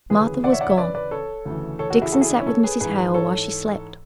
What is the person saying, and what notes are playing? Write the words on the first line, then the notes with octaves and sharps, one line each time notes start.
Martha was gone. Dixon sat with Mrs. Hale while she slept.
D2 C#3 E3 G#4 B4
D5 F#5
C#5 E5
D5 F#5
C#5 E5
B4 D5
B4 D5
A4 C#5
D2 C#3 E3
A4 C#5
F#4 A4
E4 G#4
F#4 A4
E4 G#4
D4
C#4 E4
A4 C#5
G#4 B4
G#2 E3 G#4 B4
A4 C#5